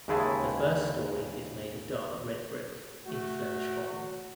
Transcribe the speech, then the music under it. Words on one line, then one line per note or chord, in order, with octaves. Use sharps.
The first story is made of dark red brick in Flemish bond.
D#2 C#3 G#3 E4 G#4 A5
A3 F#4